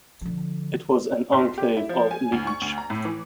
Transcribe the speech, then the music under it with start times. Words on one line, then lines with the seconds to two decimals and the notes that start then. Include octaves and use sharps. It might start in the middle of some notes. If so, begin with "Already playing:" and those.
It was an enclave of Liege.
0.21 D3 F3
1.32 B1
1.45 C6
1.58 G4
1.77 E4
1.89 F3
2.11 G#5
2.32 D2
2.47 C#6
2.61 D2
2.78 A#5
2.90 A2
3.05 E3